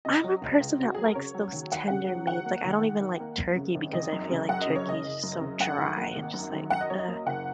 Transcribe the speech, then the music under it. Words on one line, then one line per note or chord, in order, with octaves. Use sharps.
I'm a person that likes those tender meats, like, I don't even like turkey because I feel like turkey's so dry and just like, ugh,
C#3 D#5
F#3
C#2
C#2
C#3 F#4
F#3 G#4
A#4
C#3 C#5
F#3
D#2
D#2 F#5
C#3 F#5
F#3
D#3 F#5
A#3
D#2
D#2
D#3
A#3
F#2
C#3
G#1
G#1 D#5
F#2
C#3
F#2 F#5
D#5
C#3
C#5
F#1 D#5
F#1
F#2
C#3
F#2 F#5
D#3
A#3
G#1
F#2
D#3
F#2 F#5
D#5
F#3 C#5
D#5
A#3
F#1 F#5